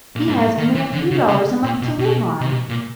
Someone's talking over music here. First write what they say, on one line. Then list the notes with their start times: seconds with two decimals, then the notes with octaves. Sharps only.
He has only a few dollars a month to live on.
0.16 A#2
0.28 G#2
0.39 A2
0.58 D#3
0.75 E3
0.93 D3
1.11 C#3
1.28 C#3
1.63 A#2
1.81 B2
1.98 B2
2.40 C3
2.52 B2
2.69 A#2